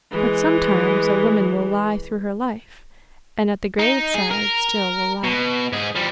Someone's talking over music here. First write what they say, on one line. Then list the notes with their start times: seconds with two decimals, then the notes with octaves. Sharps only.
But sometimes a woman will lie through her life, and at the graveside still will lie....
0.11 E3 G#3
3.79 D#4
4.15 G#4
4.31 A#4
5.24 B2
5.72 G#2 G#4
5.95 F3 G3